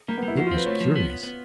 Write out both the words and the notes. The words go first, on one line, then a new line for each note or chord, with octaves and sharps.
It was curious.
G3 A#3
B3
G3 E4
F3 F#4
F4
C4
B4
A3 C#5
F3
B3
B3
B3